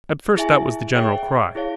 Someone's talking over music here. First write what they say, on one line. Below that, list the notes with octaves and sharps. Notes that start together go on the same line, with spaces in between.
At first that was the general cry.
E4 G#4 E5 G#5
G#4 C#5 E5 G5
E4 G#4 C#5 F5